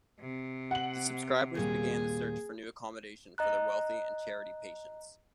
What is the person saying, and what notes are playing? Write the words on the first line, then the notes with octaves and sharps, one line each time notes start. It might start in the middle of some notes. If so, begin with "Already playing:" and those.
The subscribers began the search for new accommodation for their wealthy and charity patients.
C3
F#5 F#7
D#2 A#2 G3 G#4
D#5 A#5 F#6